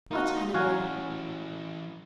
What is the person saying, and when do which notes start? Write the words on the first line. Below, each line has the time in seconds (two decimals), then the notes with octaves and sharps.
"What animal?"
0.11 A#3 D#4 F4 F#4
0.54 E3 C#4 F#4 F5 G#5